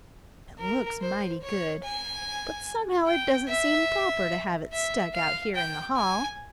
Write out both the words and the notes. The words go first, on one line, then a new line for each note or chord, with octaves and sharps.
It looks mighty good, but somehow it doesn't seem proper to have it stuck out here in the hall.
A#4
C5
C#5
G#5
G5
E5
E5
F5
G5
G#5